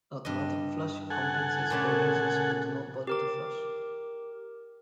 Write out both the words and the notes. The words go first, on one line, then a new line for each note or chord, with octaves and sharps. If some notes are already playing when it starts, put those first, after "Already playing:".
Automatic flush compensates for users who do not bother to flush.
G2 D#5
A4 F#5 G#5
A#2 C#3 A3
G4 A#4 D6